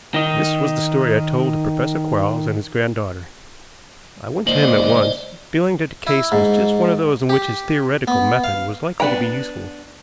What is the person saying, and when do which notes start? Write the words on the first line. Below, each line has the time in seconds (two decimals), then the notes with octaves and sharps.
This was the story I told to Professor Quarles and his granddaughter. I went to him at once, feeling that the case was just one of those in which his theoretical method was likely to be useful.
0.14 D#3 D#4
4.47 C#2 A#3 C5 D5 D#5 F#7
6.07 E4
6.32 G#2
7.29 G4
8.08 B3
8.44 F5
9.00 B3 D4 B4 G5 A#5